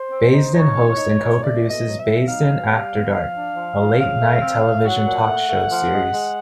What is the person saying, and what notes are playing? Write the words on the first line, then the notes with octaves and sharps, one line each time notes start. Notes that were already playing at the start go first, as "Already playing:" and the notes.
Baisden hosts and co-produces "Baisden After Dark", a late-night television talk show series.
Already playing: C5
C4
D#4
D#4 C#5
D#3
D#4
D#4
A3 D5
B2
D#5
F#3
E5
F#3
D#4 F5
B2
G3
B3
F3 F5
D4
F3
F3
C#3 F5
A3
C4
A3
F#3 F#5
A#2
A3
A3
F3
G#3
G#3